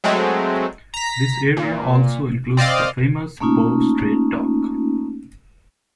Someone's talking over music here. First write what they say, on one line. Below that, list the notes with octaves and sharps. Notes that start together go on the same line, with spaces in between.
This area also includes the famous Bow Street Dock.
F#3 G#3 A3 C4
A#5 B6
A#2
C4 D5 D#5 F5
A3 A#3 C#4 D#4 F4